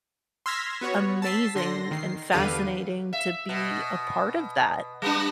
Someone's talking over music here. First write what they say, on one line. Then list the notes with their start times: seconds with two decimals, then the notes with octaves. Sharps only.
amazing and fascinating to be a part of that
0.46 C6 E6 F6 G#6 A#6 B6
0.81 B3 F#4 C#5
1.22 A5 E6 A6 B6 C7
1.55 D3 C6 A#6
1.91 D#3 C7
2.32 E2 D3 G4 B4 F5 D#7
3.13 E5
3.49 B2
5.02 G3 B3 D4